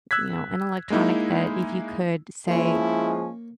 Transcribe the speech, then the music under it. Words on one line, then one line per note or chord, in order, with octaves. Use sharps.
you know, an electronic that if you could, say,
E6 F#6 G#6 B6
G#3 A#3 D#4 E4
F3 G#3 A#3 C#4 E4 C#5